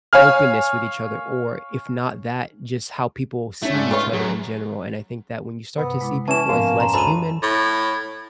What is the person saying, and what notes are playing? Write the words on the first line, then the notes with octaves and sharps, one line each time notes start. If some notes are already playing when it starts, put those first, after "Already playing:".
openness with each other or if not that, just how people see each other in general, and I think that when you start to see people as less human
C#5 F5 G#5 F6
A3 C#4 D4 E4
G#2 C#4 D5
A3 F4 B4 C#5
F#2 G#4
G2 C3 B3
G#3 E4 D6
E3 C#4 A5 E7
G#2 F3 A#3 B3
F#2 A#5 C6
D2 G#3 A4 B5 D#7
A2